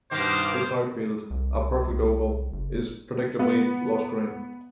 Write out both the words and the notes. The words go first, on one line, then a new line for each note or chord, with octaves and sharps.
Its outfield, a perfect oval, is predictably lush green.
G2 B2 D#3 C5 D6 F6
C2
C2
F#1
B3